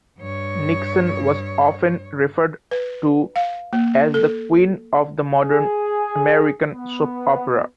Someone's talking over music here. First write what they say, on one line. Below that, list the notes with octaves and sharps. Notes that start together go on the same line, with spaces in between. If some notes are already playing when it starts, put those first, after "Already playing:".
Nixon was often referred to as the "Queen" of the modern American soap opera.
G2 C#5
B4
F5
A#3
A4
G#4
B3